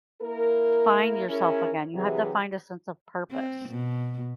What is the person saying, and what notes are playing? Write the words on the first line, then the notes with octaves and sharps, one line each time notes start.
find yourself again. You have to find a sense of purpose.
A#3 E4 A#4
C#4 E4 G#4 A#4
C3 E3 F#3 G4 G#4
C4
B2